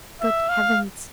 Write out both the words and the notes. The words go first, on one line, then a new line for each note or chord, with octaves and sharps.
Good Heavens!
E5
F5